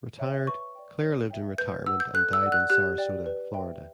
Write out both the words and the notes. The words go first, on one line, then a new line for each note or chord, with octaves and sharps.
Retired, Clair lived in retirement and died in Sarasota, Florida.
C#5 E5 G5
B4 C#6
D5 G5
C#5
E5 G5
B4 G6
F#5 E6
G6
A4 F#6
E6
D5 F#5
F#6
G4 F#6
D5 G5
B4
E5 G5